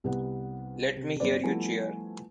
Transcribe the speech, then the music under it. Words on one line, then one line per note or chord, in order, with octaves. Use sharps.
Let me hear you cheer!
C2 C3 B3 F#5
C3
G1 B4 C5 D5
F3 G3 A3 B3 E4 G#5